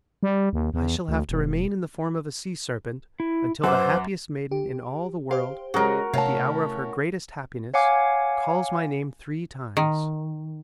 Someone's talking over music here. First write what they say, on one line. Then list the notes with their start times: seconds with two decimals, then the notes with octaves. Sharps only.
I shall have to remain in the form of a sea serpent until the happiest maiden in all the world, at the hour of her greatest happiness, calls my name three times.
0.23 G3
0.53 D#2
0.74 E2
1.08 D2
1.29 E1
3.20 E4
3.64 F#2 B4 C5 F#5 D6 E6
4.51 G4
5.31 G4 C5 F5
5.74 C#3 G#3 F#4 G#4 A#4 D#5
6.13 C3 A3 C#4 E4 F5 A5
7.74 C#5 F5 F#5 G#5 D6
9.77 D#3